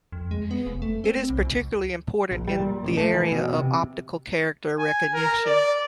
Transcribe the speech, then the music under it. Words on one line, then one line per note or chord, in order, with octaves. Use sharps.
It is particularly important in the area of optical character recognition.
F2
G#3
B3
F1
A3
C4
B1
C#2
A#1
G3
A#2
A1
A3
E3
B2
C3
G#5
A#4
D5